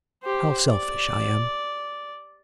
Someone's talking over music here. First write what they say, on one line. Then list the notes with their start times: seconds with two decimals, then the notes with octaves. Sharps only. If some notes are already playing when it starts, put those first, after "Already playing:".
How selfish I am.'
0.23 G4 C5
0.70 D5